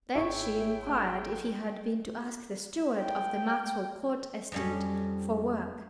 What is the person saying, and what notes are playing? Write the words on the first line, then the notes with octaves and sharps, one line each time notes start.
Then she inquired if he had been to ask the steward of the Maxwell Court estate for work.
G#1 E4 G#4 C#5 G5
G5
F2 G3 C#4